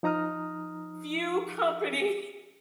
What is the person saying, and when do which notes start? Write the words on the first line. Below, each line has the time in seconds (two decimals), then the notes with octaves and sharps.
few company
0.03 F3 D#4 A#5 D#6 F6